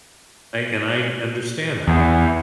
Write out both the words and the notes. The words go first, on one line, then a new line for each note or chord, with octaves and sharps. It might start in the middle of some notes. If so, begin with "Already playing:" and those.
I and I understand that.
E2